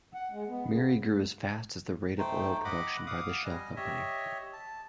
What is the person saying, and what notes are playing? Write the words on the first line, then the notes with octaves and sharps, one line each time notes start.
Miri grew as fast as the rate of oil production by the Shell company.
F#5
G#3
B3
C#3
A3 D#4 C5 G5
D#5 F#5 B5 D6
F5 F#5 D6 D#6
G3 D#5 G#5
G4 C#5 D#5 E5
A5